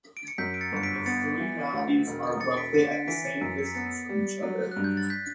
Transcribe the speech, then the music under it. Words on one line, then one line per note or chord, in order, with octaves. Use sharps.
The three mountains are roughly at the same distance from each other.
D7
C#7
F#2 G6 B6
D7
A6 C#7
G1 C#7
B6 D7
B3 A6 C#7
E3
D2
E1
E1 A6 C#7
B6 D7
D3 A6 C#7
B6 D7
E3 B6 D7
A6 C#7
F#2 B6 D7
C#7
B6
B3 A6 C#7
G3
F#3
G2 F#6
G6
A6
G6 B6